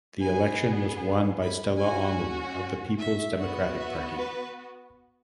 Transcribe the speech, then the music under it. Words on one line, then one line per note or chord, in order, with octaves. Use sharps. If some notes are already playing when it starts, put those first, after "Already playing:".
The election was won by Stella Omu of the Peoples Democratic Party.
B3 G#4 G#5
B5
C#4 F#4 G#5
E5
B3 F#4
E5
B4